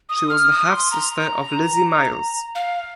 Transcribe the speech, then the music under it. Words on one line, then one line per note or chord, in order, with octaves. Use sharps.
She was the half-sister of Lizzie Miles.
D#6
F6
D#6
C6
A#5
F5